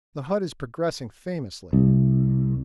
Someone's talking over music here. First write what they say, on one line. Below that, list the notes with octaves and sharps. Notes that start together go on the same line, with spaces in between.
The hut is progressing famously.
C2